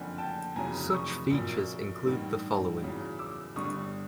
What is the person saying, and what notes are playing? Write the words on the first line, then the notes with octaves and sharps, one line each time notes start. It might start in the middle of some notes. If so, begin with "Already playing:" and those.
Such features include the following.
Already playing: F#1 F2 D3 F#5 G#5
G5 A5
F1 E2 C#3 F#3 G#5 A#5
C#6 D#6
A#1 A#2 F#3
A1 G2 D#3
E2 C#3 F#3
D6 E6
G1 G2 D3 G3 C#6 D#6